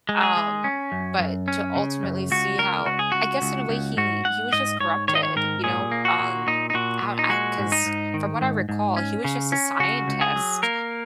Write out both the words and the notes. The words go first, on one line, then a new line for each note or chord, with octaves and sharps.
um, but to ultimately see how I guess in a way he he was just corrupted, you know? Um, I I 'cause from what I recall, he was just a scientist,
G#3
G#4
G#3
C#4
F#2
F#2
C#4
C#3
F#2
C#2 F#4
C#2 A#4
C#2 F#4
G#4
C#2 F#4
C#2
C#2
G#2 F#4
G#2 F#5
G#2 D#5
G#2 C#5
D#3 C#5
D#5
C#5
G#2 A#4
A#2 G#4
A#3
F#4
A#2
A#2 D#4
D#4
A#2 F#4
A#2
D#4
G#3 F#4
G#2
D#4
G#2
D#3
G#2
G#2
C#4
C#3
C#4
C#3 F#4
C#2
G#4
F#3
A#3 A#4